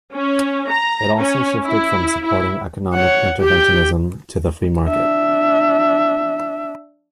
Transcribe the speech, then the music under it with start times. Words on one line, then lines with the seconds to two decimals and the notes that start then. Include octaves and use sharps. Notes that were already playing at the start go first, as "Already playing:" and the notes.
It also shifted from supporting economic interventionism to the free market.
0.14 C#4
0.70 A#5
1.20 C#4
1.66 E4
2.24 E4
2.94 C#5 F#5
3.40 G4 G5
4.86 D4 E5